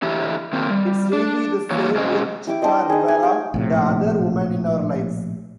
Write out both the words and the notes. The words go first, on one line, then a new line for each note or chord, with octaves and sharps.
It's really the same with Chita Rivera, the other woman in our lives.
D3 E3 E4 G4
D#3 A#3 C4
G3
D4
E3 A#3 F4 F#4 C#5
B2 G#3 C4 C#4 G#4 D#5
E4 G4 D6
D4 G4 C5 D#5
D#4 G#4
G#5
G4 G5
A#1 A2 C3